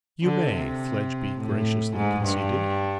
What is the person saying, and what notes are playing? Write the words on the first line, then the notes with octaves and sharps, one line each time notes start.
'You may,' Fledgeby graciously conceded.
D3
C3
A2
G#2
G2